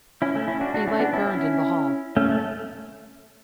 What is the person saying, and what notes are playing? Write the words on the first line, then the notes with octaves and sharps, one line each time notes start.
A light burned in the hall.
C#4 E4
A3 C#4
C#4 E4
D4 F#4
D4 F#4
C#4 E4
B3 D4
C#4 E4
C#4 E4
A3 C#4
A3